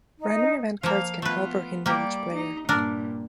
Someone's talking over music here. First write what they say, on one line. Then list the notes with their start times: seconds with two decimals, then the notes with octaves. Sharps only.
Random event cards can help or hinder each player.
0.19 D#4
0.83 F3 A#3 F5
1.22 A3 B3 F4 B4
1.86 G3 A#3 G4 D5
2.34 D#4
2.69 G2 A#2 D4 A#4